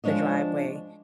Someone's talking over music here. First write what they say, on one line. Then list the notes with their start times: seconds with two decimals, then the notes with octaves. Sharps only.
the driveway,
0.04 F3 G#3 D4 C#5 D#5